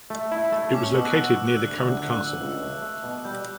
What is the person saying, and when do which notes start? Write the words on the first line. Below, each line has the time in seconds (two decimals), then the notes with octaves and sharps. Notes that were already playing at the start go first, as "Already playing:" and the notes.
It was located near the current castle.
0.10 A3
0.32 E4
0.52 A3
0.73 C#4 D6
0.84 D6
0.94 B2 E6
1.05 F#6
1.15 F#4 E6
1.36 F#4
1.47 F#6
1.57 D2 E6
1.79 D2
1.99 D2 F#6
2.13 F#6
2.20 D2
2.27 E6
2.41 C#2
2.62 A3
2.82 A3
3.03 B2
3.25 G3 G6